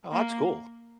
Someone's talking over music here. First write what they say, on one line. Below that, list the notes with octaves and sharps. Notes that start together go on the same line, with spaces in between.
Oh, that's cool.
A#3